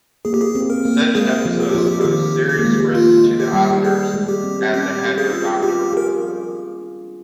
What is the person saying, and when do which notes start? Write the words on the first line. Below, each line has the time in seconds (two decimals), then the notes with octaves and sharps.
Such episodes posed serious risks to the islanders, as they had no doctor.
0.25 A#3 G#4
0.34 G4
0.41 G#4
0.55 C4
0.70 A#4
0.85 A#3
1.15 G#3 G#4
1.45 F3
1.60 G#4
1.69 G4
1.75 F3 F4
1.86 G4
2.01 G#4
2.05 D#3 G4
2.49 G4
2.58 A#3
2.65 G#3
2.94 A#3 F4
3.24 G#3
3.40 G4
3.53 G3
3.84 G#4
4.14 G#3
4.28 G4
4.43 C4
4.73 C#4 G4
5.18 G#4
5.33 F4
5.63 F4 G4
5.93 G#4 A#4